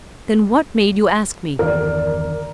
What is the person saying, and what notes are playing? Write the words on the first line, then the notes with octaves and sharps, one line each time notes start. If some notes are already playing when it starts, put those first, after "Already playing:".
Then what made you ask me?
G1 E2 D#3 A#4 D5